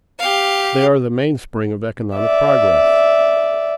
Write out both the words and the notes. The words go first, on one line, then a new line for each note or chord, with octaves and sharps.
They are the mainspring of economic progress.
G4 F5
D5 E5